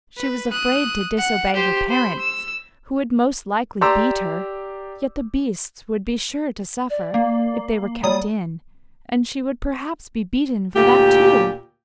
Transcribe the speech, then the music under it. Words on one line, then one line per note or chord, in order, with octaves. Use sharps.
She was afraid to disobey her parents, who would most likely beat her, yet the beasts would be sure to suffer if they were kept in, and she would perhaps be beaten for that too.
B4
D#6 F#6
F#5
G4 C5
C5 B5
E6
G4 D5 A#5 C6 E6
D5
A#3
F#3 G3 D5 D#6
D2 A#2 G4